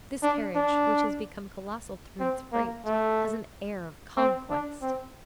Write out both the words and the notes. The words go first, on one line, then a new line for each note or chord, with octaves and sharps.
This carriage which has become colossal through its freight, has an air of conquest.
D4
D4
C4
A#3
A3
C4
D4
C4